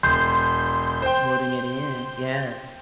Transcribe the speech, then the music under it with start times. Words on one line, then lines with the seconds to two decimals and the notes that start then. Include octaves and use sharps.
Loading it in, yes.
0.03 E1 C6 G6
1.02 C5 G5